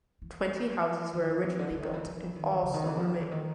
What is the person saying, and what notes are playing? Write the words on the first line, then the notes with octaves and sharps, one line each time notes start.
Twenty houses were originally built and all still remain.
E3
D#3
D3
C3
D3
D3
D#3
E3
F3
E3
D#3
C#3
C#3
D#3
E3
F3
E3
D3
D#3